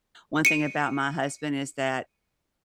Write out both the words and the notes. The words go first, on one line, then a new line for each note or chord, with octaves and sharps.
one thing about my husband is that,
C#7 D#7